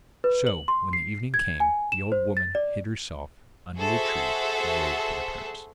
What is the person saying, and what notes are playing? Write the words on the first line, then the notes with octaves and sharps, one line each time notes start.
So, when the evening came, the old woman hid herself under the tree and waited for the prince.
B4
F#7
C6
C7
G#6
G#5
E7
C5
A6
D5
F#4 G#4 A4 C5 E5 F#5